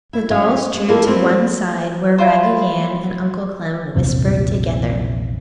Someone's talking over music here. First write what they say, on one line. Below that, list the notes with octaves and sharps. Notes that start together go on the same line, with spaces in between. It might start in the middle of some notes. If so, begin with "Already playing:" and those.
The dolls drew to one side, where Raggedy Ann and Uncle Clem whispered together.
E4
F#3 C#4 E4 C#5 F5
G#3
E2 F3 A#3 C4 D#4 E4
F3 A3 B3 C4 E4 G4
E4 F4 C5
A#1 E2 C3